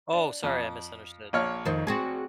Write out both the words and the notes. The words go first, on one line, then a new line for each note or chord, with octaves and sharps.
Oh, sorry, I misunderstood,
D4
F2
A#1 C#5 F6
F2 D#3 C5
C4 F#4 G#4